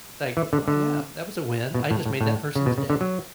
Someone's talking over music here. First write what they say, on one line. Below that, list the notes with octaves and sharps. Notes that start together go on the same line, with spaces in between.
It's like, "Oh yeah, that was a win, I just made that person's day."
E3
D3
D3
B2
A2
A2
A2
C#3
B2
C#3
D3
F#3